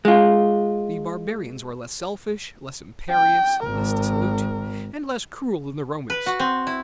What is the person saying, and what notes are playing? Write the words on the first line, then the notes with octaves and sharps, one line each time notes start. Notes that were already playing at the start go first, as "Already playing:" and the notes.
The Barbarians were less selfish, less imperious, less dissolute, and less cruel than the Romans.
G#3 F4
G5
G#1 A#4
B4
F#4
C4
E4